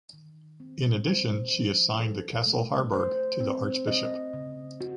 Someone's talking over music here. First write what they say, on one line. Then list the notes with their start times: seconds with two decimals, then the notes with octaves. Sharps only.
In addition she assigned the castle Harburg to the archbishop.
0.13 D#3
0.60 C4
1.07 C5
1.53 F3
2.00 A4
2.46 A3
2.93 C5
3.40 C4
3.87 D#5
4.33 C#3
4.81 F#4